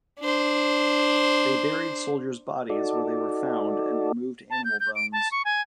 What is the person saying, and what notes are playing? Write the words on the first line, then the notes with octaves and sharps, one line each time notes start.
They buried soldiers' bodies where they were found and removed animal bones.
D4 C5
D#4 F#4 A4 D5
A5
G6
G6
D7
A5
C#6
G#5